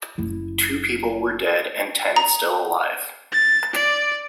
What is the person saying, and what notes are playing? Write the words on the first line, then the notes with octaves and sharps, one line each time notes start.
Two people were dead and ten still alive.
F#1 E4
A#5
A6
D5